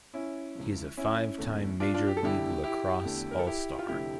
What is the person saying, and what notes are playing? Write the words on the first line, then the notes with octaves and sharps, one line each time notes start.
He is a five-time Major League Lacrosse All-Star.
C#4 E4
C#2 C#3 F3
C#4 E4
E2 D3 A3
D4 F4
D4 F4
G4
A4
E1 E2 D3 G3 E4 G4
E4 G4
E2 D3 A3
A#4
A4
E4 G4
F4
F1 F2 D3 A3 E4 G4